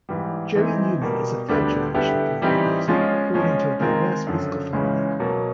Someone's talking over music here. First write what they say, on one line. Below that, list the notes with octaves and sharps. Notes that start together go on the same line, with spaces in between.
Joey Newman is a third generation film composer born into a diverse, musical family.
G#2 E3 G3
E3 G#3 C4 D#4
B2 G3 A#3
D2 D3 G3 B3 D4
D3 G3 B3 E4 G4
E3 G3 C4 D#4 G4
F3 G#3 C#4 F4
F3 G#3 C#4
D#3 G#3 C4 F4 A#4
F#2 D3 F3
C#2 C#3 E3 G#3 C#4
B2 F#3 A#3